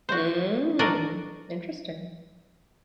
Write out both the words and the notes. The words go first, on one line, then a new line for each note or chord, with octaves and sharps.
Mm. Interesting.
F#4 C5
D4 F#4 A4 A#4 D5 D#5